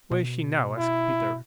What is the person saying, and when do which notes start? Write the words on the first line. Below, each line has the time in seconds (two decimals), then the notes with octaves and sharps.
"Where is she now?" asked Peter.
0.11 B2
0.77 E4